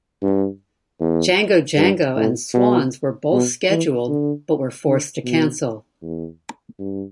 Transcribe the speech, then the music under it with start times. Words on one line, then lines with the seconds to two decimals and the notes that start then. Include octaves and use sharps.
Django Django and Swans were both scheduled but were forced to cancel.
0.23 G2
1.00 E2
1.77 G2
2.16 A2
2.54 B2
3.32 B2
3.70 E3
4.09 D3
4.87 D3
5.25 B2
6.02 E2
6.79 G2